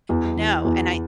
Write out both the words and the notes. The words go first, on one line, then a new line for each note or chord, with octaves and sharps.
No, and I
E2
E3
E2